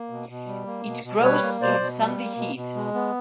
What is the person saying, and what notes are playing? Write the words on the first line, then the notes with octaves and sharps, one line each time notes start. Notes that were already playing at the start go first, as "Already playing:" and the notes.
It grows in sandy heaths.
Already playing: A#3
B2
B2
G3
A#3
B2
B2
G3 B4 C#5
A#3
B2 C5 D5
B2
G3
A#3
B2
B2
G#3
B3